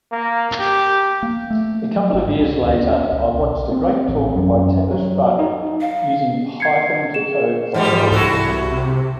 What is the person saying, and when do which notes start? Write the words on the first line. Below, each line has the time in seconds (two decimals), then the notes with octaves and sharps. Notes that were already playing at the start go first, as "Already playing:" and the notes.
A couple years later I watched a great talk by Tavis Rudd, Using Python to Code by Voice.
0.12 A#3
0.59 G4
1.23 A#3
1.50 A3
1.97 F#3
2.13 G#1
2.27 G2
2.39 C#2
2.64 D#2
2.85 C#4
3.12 C#2
3.40 B1
3.72 C4
4.09 A1
4.35 F#2
4.91 F#3
5.39 D#4
5.81 F5
6.60 G#6 C7 C#7
7.14 G#4 E7
7.74 G#2 E3 F3 G3
8.12 C2 E4 F#4 A4
8.71 C3